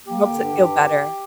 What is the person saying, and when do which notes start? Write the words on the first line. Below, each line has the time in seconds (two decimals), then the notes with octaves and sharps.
helps it feel better.
0.06 A#3 G4
0.23 D3
0.38 G2
0.54 G2